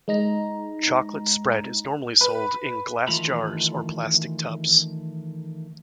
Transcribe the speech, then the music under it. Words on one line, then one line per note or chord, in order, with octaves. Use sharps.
Chocolate spread is normally sold in glass jars or plastic tubs.
G#3 D#4 A#5
B4
D#3 E3 A3 F4 A#5 B5